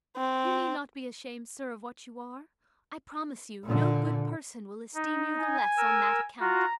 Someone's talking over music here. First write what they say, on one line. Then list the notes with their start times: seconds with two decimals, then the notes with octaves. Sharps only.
You need not be ashamed, sir, of what you are; I promise you no good person will esteem you the less on that account.
0.17 C4
3.64 A#2 D3
4.94 D#4
5.39 G#5
5.77 A#4 E6
6.40 F4 F#4 A#5